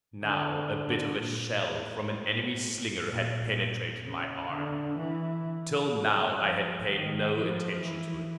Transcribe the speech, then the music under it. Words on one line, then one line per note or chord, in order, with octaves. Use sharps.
Now, a bit of a shell, from an enemy slinger, had penetrated my arm. Till now, I had paid no attention to it.
D3
A#2
A2
A#2
C#3
D3
E3
F#3
F3
D#3
F3
E3